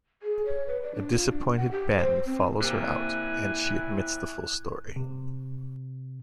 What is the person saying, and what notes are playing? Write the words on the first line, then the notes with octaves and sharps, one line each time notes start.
A disappointed Ben follows her out and she admits the full story.
G#4
C#5
B4
D5
D4
F4
D4
F#5
G4
C5
C4
C3 A#3 E4 D5 G#5 F#6
C3